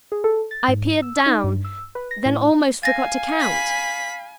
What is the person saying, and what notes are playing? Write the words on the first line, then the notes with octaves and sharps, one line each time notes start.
I peered down, then almost forgot to count.
G#4
A4
A6
G#2
E6
D#4
G2
E6
B4
A#6
A2
F5 G#5 A6 A#6
B5 B6